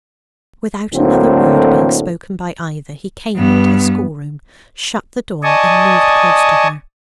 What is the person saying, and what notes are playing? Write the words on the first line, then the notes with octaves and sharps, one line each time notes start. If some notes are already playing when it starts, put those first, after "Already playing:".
Without another word being spoken by either, he came into the schoolroom, shut the door, and moved close to her.
D2 A2 D3 F#3 A#3 C4
G2 B3
D5 D#5 G#5 A5 C#6 D#6